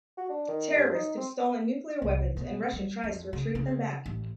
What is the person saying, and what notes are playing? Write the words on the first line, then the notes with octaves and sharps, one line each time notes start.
Terrorists have stolen nuclear weapons and Russia tries to retrieve them back.
F#4
D4
D#3
G2
D#4
C4
C2
B2
G3
F2
C#3
C#3
A1